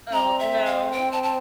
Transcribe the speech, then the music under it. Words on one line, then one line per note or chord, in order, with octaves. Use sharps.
Oh, no.
C4 A#5
E5
F5
G5
A5
A5